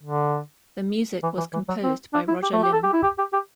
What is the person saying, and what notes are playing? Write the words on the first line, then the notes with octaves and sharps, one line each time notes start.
The music was composed by Roger Limb.
D3
E3
E3
E3
F#3
C4
D4
E4
G4
A3
G4
A4
G4
E4
G4
G4
G4